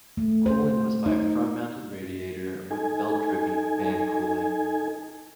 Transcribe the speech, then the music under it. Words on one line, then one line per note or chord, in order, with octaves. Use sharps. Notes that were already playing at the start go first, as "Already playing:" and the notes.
Cooling was by a front-mounted radiator, with belt-driven fan cooling.
A3
C5
D#4
D#4 A4 G#5